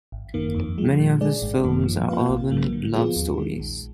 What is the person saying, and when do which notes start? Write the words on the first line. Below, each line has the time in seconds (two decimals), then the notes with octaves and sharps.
Many of his films are urban love stories.
0.12 G#1
0.34 F#2 D#3 A#3
0.56 F2
0.78 F3 G#3
0.99 A#2
1.21 G#3 D4 G#4 D5
1.42 G#1
1.64 F#2 D#3 A#3
1.86 F3
2.08 A#3 F4 B4 F5
2.29 A#1
2.51 G#2 F#3 A#3
2.72 D3
2.94 F3 B3 F4 G#4
3.16 D#2
3.38 D#3 G#3
3.60 A#1